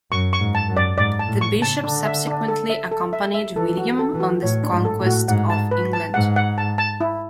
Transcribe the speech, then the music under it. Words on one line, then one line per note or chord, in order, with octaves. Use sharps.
The bishop subsequently accompanied William on the conquest of England.
F#2 C#6
C#6
G#2
A5
F#2
D5
G#2 D5
A5
A2
C#6
C#3
A5
D3 D4
E5
D4
A4
E5
A4
E5
E5
E3 A4
F#4
A4
E3
F#4
A2 C#5
D4
G#2
A4
A2
F#4
G#2 F#5
A5
B4
A5
G#2 F#5
F#5
A5
A5
E4